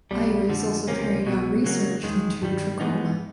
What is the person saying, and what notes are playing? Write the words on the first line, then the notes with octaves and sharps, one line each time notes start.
Ayres also carried out research into trachoma.
B1 B2 G3
F2 D3 F3
C#2 C3 F3 A#3 C#4
C2 B2 F#3
C#3 F#3 A#3
D#2 D#3 G#3
G2 D#3 G3
G#2 E3 G#3 B3 D#4